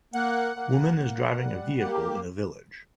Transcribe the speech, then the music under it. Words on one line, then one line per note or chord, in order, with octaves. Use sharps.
Woman is driving a vehicle in a village.
A#3 F#5
A#3
A#3
G3
A#3 G4